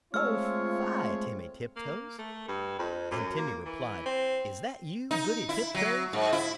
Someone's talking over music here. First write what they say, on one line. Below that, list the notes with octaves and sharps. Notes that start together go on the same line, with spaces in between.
Oh fie, Timmy Tiptoes!" And Timmy replied, "Is that you, Goody Tiptoes?
G#3 A3 C4 F4 C#5 E6 F6
A#3
A3
G2
F2
F#2
A#3
E3
C4
D#4
E4
F#3
G#2
E4